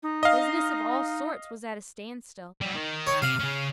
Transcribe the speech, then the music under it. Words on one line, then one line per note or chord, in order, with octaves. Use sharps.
Business of all sorts was at a standstill.
D#4
D#5 F5
F#3 G3
D#3
C#5
C3 F5
C#3 C#4